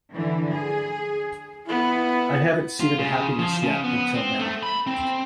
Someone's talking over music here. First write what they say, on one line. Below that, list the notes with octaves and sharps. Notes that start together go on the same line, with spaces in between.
I haven’t seeded happiness yet until now.
D3 E3
G#4
B3 E4
F4
C#3
F3
C#3
B3
C4
A3
B5
C4